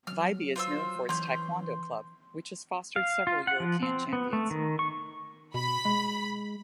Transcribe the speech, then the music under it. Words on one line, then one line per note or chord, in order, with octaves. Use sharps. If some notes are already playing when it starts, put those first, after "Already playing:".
Viby is known for its taekwondo-club, which has fostered several European Champions.
F#3 F6
F4 C5 E6
E3 C#4 C6 G6
F5
F4
F#5
F3
C4
B3
A3
D#3
C#6
B2 B5
G#3